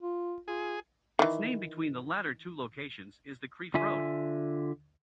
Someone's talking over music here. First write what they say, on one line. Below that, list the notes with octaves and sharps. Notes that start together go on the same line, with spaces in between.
Its name between the latter two locations is the Crieff Road.
F4
F4 G#4
D#3 E3
D3 F4 E5 G#5